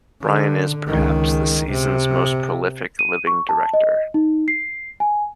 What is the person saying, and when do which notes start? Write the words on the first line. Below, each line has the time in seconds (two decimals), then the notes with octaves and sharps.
Brian is, perhaps, the season's most prolific living director.
0.21 D3
0.88 C#2 D#3
1.72 C3
2.99 D#7
3.27 C#6
3.49 A5
3.74 D#5
4.14 D#4
4.48 C7
5.00 G#5